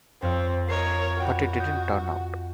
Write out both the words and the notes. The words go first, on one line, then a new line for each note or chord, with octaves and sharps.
But it didn't turn out.
F2 C4 C#5 F5
A#4 C#5 D#5 G#6 C7
F#4 G5 B5 D6
D#5 G6